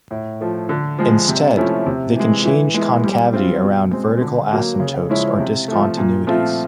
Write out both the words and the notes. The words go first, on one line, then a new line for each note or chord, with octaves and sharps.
Instead, they can change concavity around vertical asymptotes or discontinuities.
A2
F3 A3
D3
F3 G#3
C3
F3 A3 C#4 E4
C3
E3 G#3
E3
G#3 B3 E4
G3
C4 F4
B2
G#3 C4
D3
F#3 A#3
C#3
F3 G#3 C#4 E4
C3
F3 A3
A#2
F3 A3 C4 F4